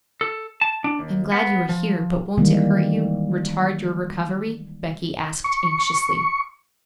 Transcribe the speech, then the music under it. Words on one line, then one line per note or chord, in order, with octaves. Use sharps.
I am glad you are here, but won't it hurt you, retard your recovery?' Becky asked anxiously.
A4
A5
D4
D#2
B3
F3
D#3 E3 G3 G#3 A#3
C#6